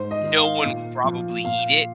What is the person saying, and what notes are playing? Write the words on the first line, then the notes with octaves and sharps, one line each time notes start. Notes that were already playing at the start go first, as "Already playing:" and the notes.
no one would probably eat it.
Already playing: G#2 C5
D#5
D#3
F5
A#2
F3
A#2 F5